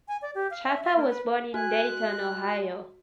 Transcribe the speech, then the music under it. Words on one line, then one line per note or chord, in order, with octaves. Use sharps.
Chapa was born in Dayton, Ohio.
G#5
D5
G4
F5
E5
E5
A#3
B4
F#4 G#5 F#6
G#3